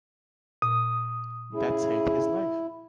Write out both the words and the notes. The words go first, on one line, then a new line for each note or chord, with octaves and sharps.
That saved his life.
A#2 D#6
C#3 E4 G#4